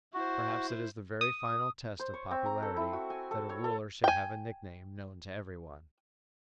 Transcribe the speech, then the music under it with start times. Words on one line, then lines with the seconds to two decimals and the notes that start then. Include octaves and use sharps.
Perhaps it is the very final test of popularity that a ruler should have a nickname known to every one.
0.14 E4 F#4 C5
1.21 D#6
2.00 C5
2.14 C#5
2.31 C4
2.46 A#5
2.62 A4
2.77 E4
2.93 F#4
3.10 G#5
3.31 A4
3.49 C#5
3.64 A4
4.04 G5 G#5